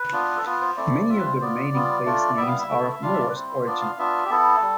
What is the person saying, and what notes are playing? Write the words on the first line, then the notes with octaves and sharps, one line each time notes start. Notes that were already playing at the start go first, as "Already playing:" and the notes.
Many of the remaining place names are of Norse origin.
Already playing: B4
B3 D4 F4
A4
B3 F4 B4
C5
A3 C4 E4 D5
G3 C4 F4 E5
B4
C5
B3 F4 D5
G3 B3 F4
A3 D4 F4
G3 B3 E4 E5
F5
E5
A3 E4
E5
G3 D4 F4 F5
E5
D5
B4
G3 C4 E4 C5
B3 D4 F4 D5
F5
B3 D4 F4 E5
G4
B3 E4 A4
G3